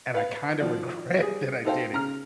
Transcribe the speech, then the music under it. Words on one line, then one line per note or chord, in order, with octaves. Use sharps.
and I kind of regret that I did it.
B4 F5
D#3 F3 F#4 D5
G3 G#4
D#4 F#4 A4 C5 F5 G5
C#3 A#5 F6